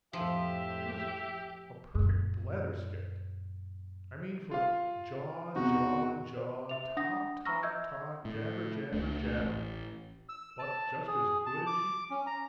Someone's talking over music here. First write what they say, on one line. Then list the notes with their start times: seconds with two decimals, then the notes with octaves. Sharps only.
She was a perfect blatherskite; I mean for jaw, jaw, jaw, talk, talk, talk, jabber, jabber, jabber; but just as good as she could be.
0.13 F2 A2 F3 G4 E5
1.95 F#2 A#2
4.51 F4 F5
5.56 E2 C3 D#4 F#4
6.37 C5
6.69 E5 F7
6.97 D4 F#5 D#6 A#6
7.45 A#5 C#6 E6 F6 A#6
7.63 D#5 E5 E6 G6 G#6
8.25 A2
8.92 C#2 A3 D4
9.39 A1
10.29 E6
10.59 A5
11.07 G#4
11.46 A5
11.67 D6
12.10 C#4
12.26 A#5